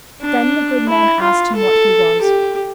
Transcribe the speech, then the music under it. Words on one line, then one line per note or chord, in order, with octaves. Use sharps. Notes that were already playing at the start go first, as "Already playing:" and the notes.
Then the good man asked him what he was.
D4
E4
F4
A4
G4